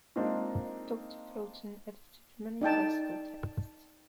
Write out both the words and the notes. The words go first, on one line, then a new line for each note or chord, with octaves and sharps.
Doctor Felton edited many classical texts.
G#3 A#3 C4 D4 D#4 F4
D4 D#4 G5 A5